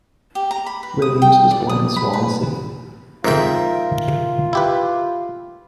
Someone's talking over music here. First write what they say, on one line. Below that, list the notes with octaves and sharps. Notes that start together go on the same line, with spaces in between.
Williams was born in Swansea.
G4
A#5
B5
B4
D#6
G5
D5
D#6
B5
B4
F2 G#2 F4 A#4 E5 G5
E4 G4 B4